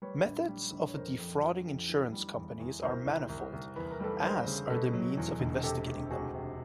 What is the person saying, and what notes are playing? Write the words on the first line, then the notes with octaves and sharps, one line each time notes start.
Methods of defrauding insurance companies are manifold, as are the means of investigating them.
G3 B4 C#5
A#1
G3
A#1
C#5
F2 A#4 C5
F2
F3
F2
E3
G3
E2
E2
C2 A#4 C5
C2
C2
C2
E2 B4
A#4
G3 A4 B4
G3 A#4 C5
C#3
B2 A4 B4
F#3
E2
E1
C3 G4 A4
D2
C3 F#4 G#4
C3